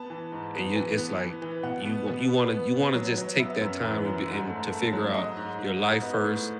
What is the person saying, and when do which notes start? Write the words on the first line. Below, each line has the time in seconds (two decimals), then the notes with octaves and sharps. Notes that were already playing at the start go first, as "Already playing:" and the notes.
And y it's like, you gonna you wanna you wanna just take that time to be and to figure out your life first,
Already playing: B3 A5
0.10 E3
0.32 G#2
0.54 B3
0.76 E3
0.98 B3
1.20 E3
1.42 E3
1.63 B2 F#5
1.85 B3
2.07 B2
2.29 B3
2.51 B3
2.74 B2
2.95 F#3
3.18 F#3
3.39 B3 E5
3.61 F#2
3.83 E3
4.05 F#2
4.27 G#2
4.49 A3
4.71 A3
4.93 F#3
5.14 G#2 D#5
5.37 G#2
5.59 G#2
5.80 G#2
6.02 B3 D#5
6.24 A2